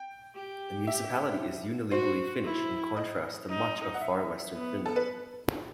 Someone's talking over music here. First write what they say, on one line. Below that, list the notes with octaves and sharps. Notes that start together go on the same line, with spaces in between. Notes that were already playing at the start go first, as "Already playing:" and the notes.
The municipality is unilingually Finnish in contrast to much of far-western Finland.
Already playing: G5
G4
E5
F#4 C5
E4
D#5
D#4
F#5
E5
B3
A4
B4